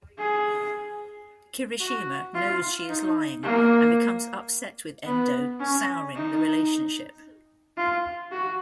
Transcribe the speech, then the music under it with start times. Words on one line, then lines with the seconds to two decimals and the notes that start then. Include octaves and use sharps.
Kirishima knows she is lying and becomes upset with Endo souring the relationship.
0.18 G#4
1.80 F#4
2.35 F4
2.89 D#4
3.43 A#3
5.06 B3
5.60 C#4
6.14 D#4
7.77 F4
8.31 F#4